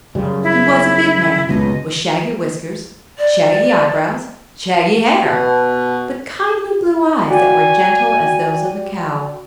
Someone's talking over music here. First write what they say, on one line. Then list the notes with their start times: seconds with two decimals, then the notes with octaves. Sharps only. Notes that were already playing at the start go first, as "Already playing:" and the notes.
He was a big man, with shaggy whiskers, shaggy eyebrows, shaggy hair--but kindly blue eyes that were gentle as those of a cow.
0.15 F#2 C#3 G3
0.43 E4
1.49 F#1 C#2 B2 D#5
3.18 D5
5.25 B2
7.30 F#4 D5 G5 G#5